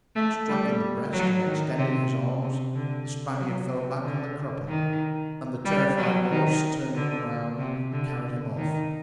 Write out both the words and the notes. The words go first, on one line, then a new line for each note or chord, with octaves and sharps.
Struck in the breast and extending his arms, the Spaniard fell back on the crupper, and the terrified horse, turning around, carried him off.
A3
G3
F#3
D#3
C3
C3
D3
F#3
C3
D3
D#3
G3
F#3
D#3
D3
C3
D3
D#3